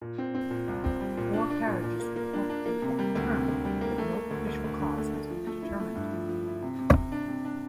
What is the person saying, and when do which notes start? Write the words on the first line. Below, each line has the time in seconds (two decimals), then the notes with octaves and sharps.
Four carriages reportedly overturned, but no official cause has been determined.
0.01 A#2
0.18 C4
0.35 C4
0.51 A#2
0.68 C2
0.84 C4
1.01 G3
1.17 A#2
1.33 D4
1.50 D4
1.67 A#2
1.84 A#2
1.99 A#3
2.16 A#3
2.33 D4
2.49 D4
2.66 A#3
2.82 C3
2.99 G3
3.15 D2
3.32 C3
3.48 D2
3.65 G3
3.81 A#3
3.98 A3
4.15 A3
4.31 D2
4.47 D2
4.64 D2
4.80 D3
4.98 A3
5.14 A3
5.30 F3
5.47 A3
5.62 E4
5.79 A3
5.95 G2
6.12 F3
6.29 F3
6.46 E4
6.62 C3
6.79 C3
6.95 C3
7.12 D4
7.28 C3
7.45 D4